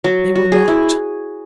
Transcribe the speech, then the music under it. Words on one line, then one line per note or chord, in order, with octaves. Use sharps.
They were locked!
F#3
F#4
G#4
E4